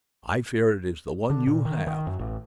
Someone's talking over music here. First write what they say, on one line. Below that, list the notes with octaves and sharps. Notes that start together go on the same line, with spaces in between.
I fear it is the one you have.
D3
A#2
D#3
D#3
F#2
A1